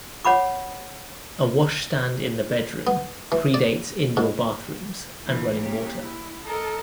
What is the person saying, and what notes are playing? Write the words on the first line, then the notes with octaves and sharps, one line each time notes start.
A washstand in the bedroom pre-dates indoor bathrooms and running water.
C#5 F#5 B5 D6
B3
E3
D5
G#2
A#2 D3 E3
A#3 C#4 G4
E4
A4 A#4 D#5 A5 A#5